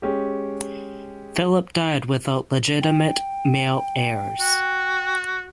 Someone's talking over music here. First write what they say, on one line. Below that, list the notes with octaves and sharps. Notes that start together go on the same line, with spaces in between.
Philip died without legitimate male heirs.
G#3 C#4 G4
G5
F#4